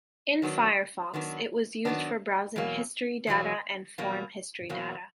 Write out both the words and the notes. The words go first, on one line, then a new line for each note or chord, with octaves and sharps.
In Firefox, it was used for browsing history data and form history data.
D#3 F#3 B3 D4
D#3 F#3 B3 D4
D#3 F#3 B3 D4
E2 B2 F#3 A#3
E2 B2 F#3 A#3
E2 B2 F#3 A#3
E2 B2 F#3 A#3